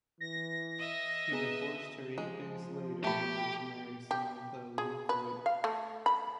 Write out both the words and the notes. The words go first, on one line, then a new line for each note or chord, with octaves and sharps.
He divorced her eight days later in order to marry Samantha Lewthwaite.
E3 A#6
D#5 E5
B2 B3 G#4 A#5
F3 G#3
A3 G4 B5
G4
G#4
B4
F5
A3
B5